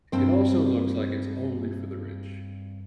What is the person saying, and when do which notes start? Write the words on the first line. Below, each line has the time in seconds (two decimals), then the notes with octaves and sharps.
it also looks like it's only for the rich.
0.12 G2 C4 C5